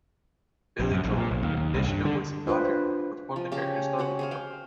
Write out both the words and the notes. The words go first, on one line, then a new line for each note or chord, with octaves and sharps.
Billy Joel, in addition to voicing Dodger, performed the character's song in the film.
A#1
F#2
A#1
A#2
B1
D#2
D#2
C2
G2
D3
D4 F4 B4 C5
F3
C#3 G4 A5
F#4 G4 F#5
G#4 C5 F5
F5 G5